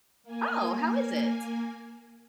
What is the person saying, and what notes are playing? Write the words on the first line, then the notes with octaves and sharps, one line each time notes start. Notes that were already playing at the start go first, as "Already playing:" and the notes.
Oh, how is it?
A#3 G#5